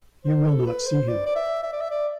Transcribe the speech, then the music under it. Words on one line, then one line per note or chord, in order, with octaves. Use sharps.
You will not see him.
C5
A4
B4
C5
D5
D5
E5
E5
D5
E5
D5